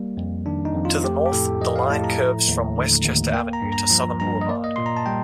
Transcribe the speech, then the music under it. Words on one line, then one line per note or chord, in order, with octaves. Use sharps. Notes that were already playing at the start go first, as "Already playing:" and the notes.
To the north, the line curves from Westchester Avenue to Southern Boulevard.
Already playing: G3 A#3
F2
D#3 D4
D#4
F2
F4
A3 G4
G4
A2 A4
F3 D#5
F5
A2 A5
A#5
A3
D#2
D3
D#2
A#3 G5
A#5
G2
A#5
F3
G2 A#5
D#5
A#3 D5
D#5
A#2 C6
A#5
A5
G3 G5